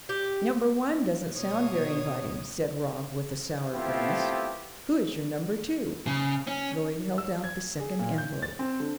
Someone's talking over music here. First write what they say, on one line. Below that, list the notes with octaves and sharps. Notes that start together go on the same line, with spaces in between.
"Number one doesn't sound very inviting," said Rob, with a sour grimace. "Who is your number two?" Lloyd held out the second envelope.
G4
B2 C#5 D#6
A3 B3 C4 E4 F4 G4
C#3
C#4
E6
G#6
G#4
A#2
G6
A6
C4
D3